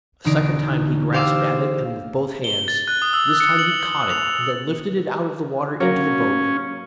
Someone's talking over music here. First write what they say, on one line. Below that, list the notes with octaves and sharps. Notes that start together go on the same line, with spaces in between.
A second time he grasped at it, and with both hands. This time he caught it, and then lifted it out of the water into the boat.
E1 D3 D#4 D7
G4 C5 F5 D6 E6
G7
A6
F#6
D#6
E6
C#7
F#7
F7
F#3 A#3 C#4